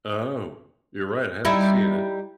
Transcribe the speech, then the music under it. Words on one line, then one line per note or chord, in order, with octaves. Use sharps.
Oh, you're right, I haven't seen it.
G3 D#4 E4